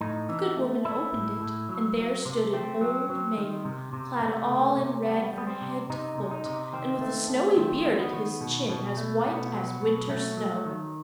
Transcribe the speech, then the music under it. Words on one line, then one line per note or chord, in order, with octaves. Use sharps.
The good woman opened it, and there stood an old man, clad all in red from head to foot, and with a snowy beard at his chin as white as winter snow.
A2 D#4
E3
A3
A3 E4
A2
A2
F#3
F#3
C3
A3 C4
F#3
F#3
D#3
C3
C3
C3 A3
C3
C3
G3 B3
G3 B3
C4
C3
C3 D#4
C3
D#4
C3
D#3 C4
A3
A3
D#3 C4
D#3
B3
D#3
B2
B2
A3
B2 B3
F#3
B2
F#3 A3
F#3
D#3